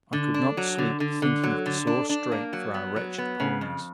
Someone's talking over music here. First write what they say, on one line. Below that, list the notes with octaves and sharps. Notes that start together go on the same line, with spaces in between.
I could not sleep thinking of the sore strait for our wretched ponies.
D3
D4
F#3
D3
D3
D3
F#3
D3
D4
D4
A#3
F#3
B3
F#3
B3
C#3
F2